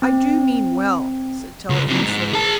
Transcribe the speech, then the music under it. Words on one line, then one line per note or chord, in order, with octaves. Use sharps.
"I do mean well," said Telford slowly.
C4
C#2
C3 F#3
G#2
G#4 A5